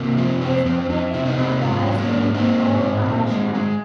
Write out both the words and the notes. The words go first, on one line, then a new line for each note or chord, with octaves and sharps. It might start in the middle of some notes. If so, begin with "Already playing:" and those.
It is located on the High Street in Old Amersham.
Already playing: C3 A#3
F3 C4
F2 C4
F2 C4
F2 C4
C3
C4 D#4
C3
G#2 C#4 F4
F#3
A#3 C#4
G#2
A#3 C4 D#4
G#2
G#2
A#2
G#3
G#3